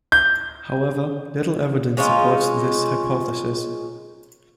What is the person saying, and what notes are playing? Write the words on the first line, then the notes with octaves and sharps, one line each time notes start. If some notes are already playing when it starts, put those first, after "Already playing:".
However, little evidence supports this hypothesis.
G6
G#3 C#4 D#4 F4